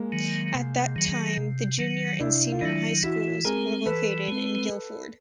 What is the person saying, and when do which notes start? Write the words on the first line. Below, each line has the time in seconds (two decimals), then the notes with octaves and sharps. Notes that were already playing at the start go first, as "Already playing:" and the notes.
At that time the Junior and Senior High Schools were located in Gildford.
Already playing: G#3 A#3
0.12 D#3 F#3
0.55 C3
0.96 D#3 F#3
1.37 C3
1.79 D#3 F#3
2.19 C3 D4 E4
2.52 F4
2.61 D#3 F#3 D4 E4
3.03 E3 E4 F#4
3.45 G#3 C4 G#4 A#4
3.86 E3 A4 B4
4.28 G#3 C4